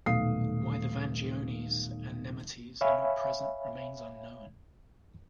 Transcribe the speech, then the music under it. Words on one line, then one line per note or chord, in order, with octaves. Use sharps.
Why the Vangiones and Nemetes are not present remains unknown.
D#1 B1 A3 F5 D#6 C7
C#5 E5 F5 G#5 B5